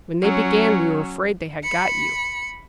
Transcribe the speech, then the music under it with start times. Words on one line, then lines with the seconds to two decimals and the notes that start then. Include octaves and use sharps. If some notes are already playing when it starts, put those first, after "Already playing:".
When they began we were afraid they had got you.
0.22 F#3 C#4
1.64 B5 C#7